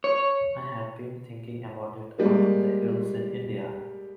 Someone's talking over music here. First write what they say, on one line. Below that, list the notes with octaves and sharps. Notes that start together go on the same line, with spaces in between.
I had been thinking about it up in the hills in India.
C#5
G3 G#3 A#3